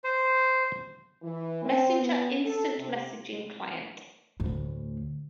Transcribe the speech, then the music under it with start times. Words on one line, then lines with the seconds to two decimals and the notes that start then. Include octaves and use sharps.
Messenger instant messaging client.
0.04 C5
1.23 E3
1.65 C4
1.99 B3
2.44 A4
2.78 C3
4.40 D2 A2